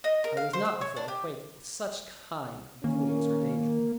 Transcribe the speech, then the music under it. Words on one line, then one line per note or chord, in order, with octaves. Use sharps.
I was not before acquainted with such kind of doings or dangers.
D#5
A#4
F5
C5
E6
C#5
D4
G4
D#3 A#3 C#4